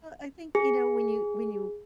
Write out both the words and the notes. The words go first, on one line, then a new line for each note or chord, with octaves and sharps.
Uh, I think, you know, when you when you
G#4